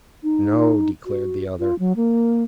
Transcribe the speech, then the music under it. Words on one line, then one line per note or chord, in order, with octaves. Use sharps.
"No," declared the other.
D#4
F#4
F4
F#3
A#3